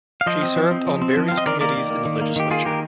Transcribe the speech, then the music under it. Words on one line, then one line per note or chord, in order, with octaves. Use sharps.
She served on various committees in the legislature.
F5
F3 C5 D#5
C4
F3
C4
F3
C4
F3
C4 F5
D#5
D#3 A#4 D5
A#3 A#4 D5
D#3
A#3
D#3
A#3
D#3 G4
A#3 F4 G#4
D#3 G4 A#4